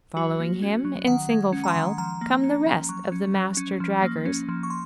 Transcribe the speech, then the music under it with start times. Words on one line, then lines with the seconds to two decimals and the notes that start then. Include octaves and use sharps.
Following him, in single file, come the rest of the Master Draggers.
0.16 F#3 F#4
0.40 A#3
0.62 C#4
0.85 F#3
1.07 D#3 F#5
1.29 G#3
1.52 C#4
1.64 A#5
1.68 C6
1.76 D#3
1.98 F3 A#5
2.21 A#3
2.44 C#4
2.66 F3
2.89 F#3 C#6
3.12 C#4
3.35 F#3
3.57 C#4
3.80 F3
4.03 A#3
4.25 C#4
4.49 F3
4.63 C#6
4.70 C6